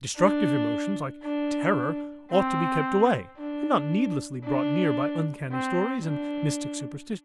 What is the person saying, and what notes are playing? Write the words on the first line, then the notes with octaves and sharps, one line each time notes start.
Destructive emotions like terror ought to be kept away and not needlessly brought near by uncanny stories and mystic superstitions.
D4
D4
C4
D4
D4
C4
D4